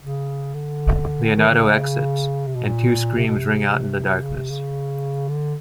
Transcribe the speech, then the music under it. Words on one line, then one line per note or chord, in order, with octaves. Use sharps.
Leonardo exits, and two screams ring out in the darkness.
C#3
D3
D#3
D3
C#3
C3
B2
A#2
C3
B2
C3
C#3
C3
C#3
D3